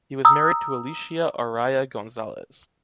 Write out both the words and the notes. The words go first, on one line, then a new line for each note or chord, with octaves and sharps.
He was married to "Alicia Araya González".
A#5 D#6 E6